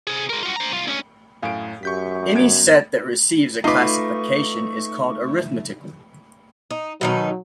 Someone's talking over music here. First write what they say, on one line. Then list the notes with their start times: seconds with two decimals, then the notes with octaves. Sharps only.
Any set that receives a classification is called arithmetical.
0.07 C3 G#4
0.29 G#3 A#4
0.43 F4 F#4
0.56 C5 A#5
0.72 C2 F4
0.87 D2 C#4
1.42 F#2 A2 F5 G#5 D7
1.83 F#2 G4 C#6 G6 B6
2.35 G1 G#6 D7
3.64 A3 D#4 F4 B4 C#6 D6
6.71 D#4
7.01 B2 D#3 F#3 D#4